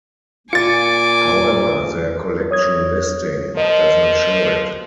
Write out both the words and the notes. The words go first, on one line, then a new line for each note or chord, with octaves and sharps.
However their collection listing does not show it.
A#2 F4 G#5 D6 A6 C#7
C#5 D#6 G#6
F3 A#4 D#5